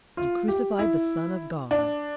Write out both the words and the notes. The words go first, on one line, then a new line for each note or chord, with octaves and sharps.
You crucified the Son of God.
F4
G4
E4
D4